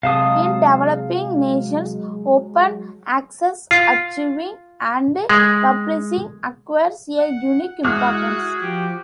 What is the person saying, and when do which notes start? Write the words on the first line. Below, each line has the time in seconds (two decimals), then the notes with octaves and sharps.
In developing nations, open access archiving and publishing acquires a unique importance.
0.03 C3 F#3 G#3 F5 A5 D#6
3.71 F4
5.29 G#3
7.18 F#5
7.85 G#3 E4 F#4 G#4 F6 F#6
8.61 F3 G4